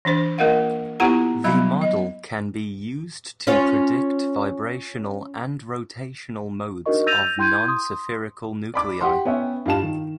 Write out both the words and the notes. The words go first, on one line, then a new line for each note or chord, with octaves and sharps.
The model can be used to predict vibrational and rotational modes of non-spherical nuclei.
E3 D4 C5
A#3 F4 A#4 D#5 F5 F#5
B3 E4 F4 G4 F#5 A#5
F#3 G3 B3 E5 F5 B5
D#5
C#4 F4 C#5
D4 D#4 F#4 A#4 D#5 C#6
E6 G6 A6 A#6 D#7 F7
E4 G5 C6 G6 G#6 D#7
C6 D#6
D5 B5 D6
G4 F#5 C6
B3 C#4 E5 G5
G2 G3 F4 F5 A5 E7
D#3